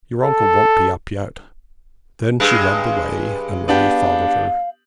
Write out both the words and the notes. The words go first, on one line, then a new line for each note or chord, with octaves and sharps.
Your uncle won't be up yet.' Then she led the way, and Marie followed her.
A4
G2 G#3
B3 D4 G4 F5